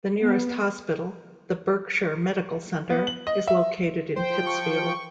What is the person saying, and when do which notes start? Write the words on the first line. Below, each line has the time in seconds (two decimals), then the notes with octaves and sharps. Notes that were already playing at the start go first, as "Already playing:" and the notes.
The nearest hospital, the Berkshire Medical Center, is located in Pittsfield.
0.19 B3
2.90 B3
3.07 F#7
3.27 D#5
3.47 E5
4.16 F3 C5 G5
4.46 C#6